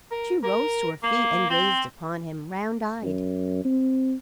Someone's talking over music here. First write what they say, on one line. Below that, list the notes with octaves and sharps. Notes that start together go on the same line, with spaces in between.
She rose to her feet and gazed upon him, round-eyed.
A#4
A#4
A#3
C4
F#2
C4